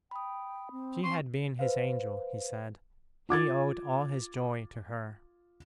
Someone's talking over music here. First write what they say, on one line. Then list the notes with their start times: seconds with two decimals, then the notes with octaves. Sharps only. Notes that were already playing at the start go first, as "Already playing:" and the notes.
She had been his angel, he said; he owed all his joy to her.
0.11 G5 B5 D#6
0.72 C4
1.04 C4 C6 C#6
1.59 B4 C5 F5
3.29 F4 D6 G#6 A6